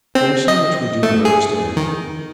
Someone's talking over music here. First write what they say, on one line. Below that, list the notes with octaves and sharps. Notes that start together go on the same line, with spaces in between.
There is so much we do not understand.
C4
D#5
A3
G#4
D#3